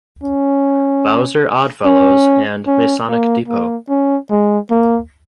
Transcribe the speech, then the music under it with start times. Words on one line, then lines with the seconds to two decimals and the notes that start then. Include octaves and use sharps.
Bowser Odd Fellows and Masonic Depot.
0.23 C#4
1.85 C#4
2.67 C#4
3.08 A#3
3.48 A#3
3.89 C#4
4.30 G#3
4.70 A#3